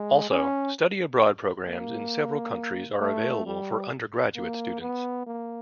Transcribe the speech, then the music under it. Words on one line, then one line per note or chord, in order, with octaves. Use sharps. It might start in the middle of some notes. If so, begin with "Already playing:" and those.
Also, study abroad programs in several countries are available for undergraduate students.
Already playing: G#3
C#4
A#3
A3
G3
A#3
B3
A#3